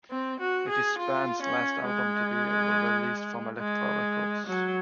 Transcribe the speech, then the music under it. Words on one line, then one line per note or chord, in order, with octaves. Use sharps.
It is the band's last album to be released from Elektra Records.
C4
F#4
G#4
F4
C#4
G#3
G#3
F#3